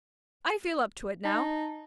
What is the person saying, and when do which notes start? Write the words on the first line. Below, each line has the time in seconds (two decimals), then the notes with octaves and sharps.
I feel up to it now.
1.25 D#4 A5